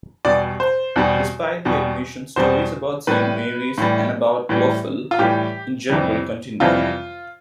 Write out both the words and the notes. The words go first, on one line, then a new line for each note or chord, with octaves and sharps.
Despite the admission, stories about Saint Mary's, and about Clophill in general, continued.
E2 B2 G3 D5
C5
E2 B2 G3
E2 B2 G3
E2 B2 G3 C5
A2 E3 G3 B4
A2 E3 G3
A2 E3 G3
F4
A2 E3 G3 G4
F2 C3 E3 G3
F2 C3 E3 G3 F4